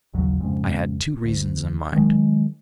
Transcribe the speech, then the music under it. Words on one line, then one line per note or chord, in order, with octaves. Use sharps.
I had two reasons in mind.
A#1 D#2 C#3 F#3
F2 G#2 C#3
D2
D#3 F#3 G#3